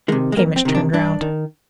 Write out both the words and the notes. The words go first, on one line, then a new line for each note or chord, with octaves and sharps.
Hamish turned round.
C3 D#3 G#3
G#3
F2 A#3
C4
C3 D#3
D4
G2 D4
D#3